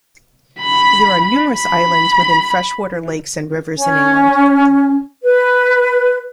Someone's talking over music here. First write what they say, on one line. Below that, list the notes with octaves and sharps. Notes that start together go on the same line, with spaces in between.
There are numerous islands within freshwater lakes and rivers in England.
B5
B5
C#4
B4